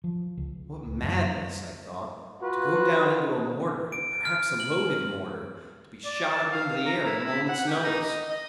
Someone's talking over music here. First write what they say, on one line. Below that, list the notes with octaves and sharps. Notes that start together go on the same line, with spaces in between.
"What madness," I thought, "to go down into a mortar, perhaps a loaded mortar, to be shot up into the air at a moment's notice!"
F3
C#2
F#2
F4 F#4 B4
D7
F6
F#7
D5
A5
F5
A#5
E4
E4
F#5
G4
D#4
D#5
D#5